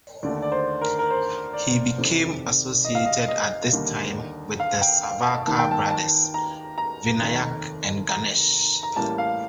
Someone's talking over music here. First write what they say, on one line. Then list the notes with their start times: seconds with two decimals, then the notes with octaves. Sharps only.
He became associated at this time with the Savarkar brothers, Vinayak and Ganesh.
0.23 D#2 D3 A3 D5
0.42 D5
0.52 C5
0.81 A#4
0.99 A#4
1.10 C5
1.53 D5
1.97 F1 F2 C3 D#3
2.85 D#5
2.95 F5
3.05 D#5
3.28 D#5
3.72 D#2 D3 G3 A#3
4.60 F5
4.81 G5
5.03 F5
5.25 A5
5.47 D#2 D#3 A#3 A5
5.59 G5
5.71 A5
5.91 A5
6.34 A#5
6.78 A#5
7.22 F1 D#2 D#3
8.09 A#5
8.83 A#5
8.96 A1 A2 G3 A#3 A5
9.18 F5